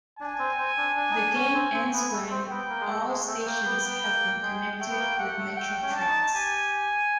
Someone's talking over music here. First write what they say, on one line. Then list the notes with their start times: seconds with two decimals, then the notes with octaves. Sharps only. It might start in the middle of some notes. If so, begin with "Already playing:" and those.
The game ends when all stations have been connected with metro tracks.
0.20 D4 G#5
0.39 C4
0.58 C4
0.78 D4
0.97 D4
1.11 D#4
1.16 D4
1.35 C#4
1.54 C4
1.74 C4
1.93 B3
2.12 A3
2.31 C4
2.50 B3 G5
2.70 A#3
2.80 G#3
2.89 A3
3.08 G#3
3.27 A3 G5
3.46 A#3
3.65 B3
3.84 B3
4.04 A#3
4.42 G#3
4.80 A3 G5
4.90 B3
4.99 A#3
5.19 A3 F#5
5.38 A3
5.57 A3 G5
5.83 C#4
5.90 D4
5.95 C#4 A5
6.08 D#4
6.34 G4 G#5